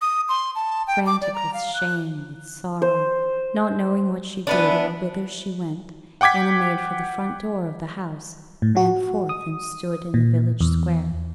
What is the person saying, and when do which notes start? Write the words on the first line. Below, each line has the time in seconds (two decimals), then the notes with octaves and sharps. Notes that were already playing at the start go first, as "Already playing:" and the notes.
Frantic with shame, with sorrow, not knowing what she did, or whither she went, Anna made for the front door of the house, ran forth and stood in the village square.
0.01 D#6
0.29 C6
0.55 A5
0.87 G5
1.07 D6
1.21 D5
1.34 A#5
1.54 F5
1.74 F#6
2.82 C5
4.47 E3 B3 D4
6.21 F#5 G5 D6 G#6 B6
8.62 A2
8.77 F#4
9.29 D#6
10.14 A#2
10.61 E2